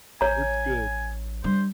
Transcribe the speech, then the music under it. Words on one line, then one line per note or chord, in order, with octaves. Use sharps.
it's good.
A1 C#5 G#5 A#5
G3 D4 C5